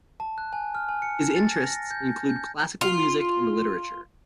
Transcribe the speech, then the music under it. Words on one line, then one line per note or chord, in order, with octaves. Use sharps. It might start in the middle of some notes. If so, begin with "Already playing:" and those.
His interests include classical music and literature.
A5
F#6
G#5
F6
G#5
C#7
A6
A#6
A#6
G6
G6
F4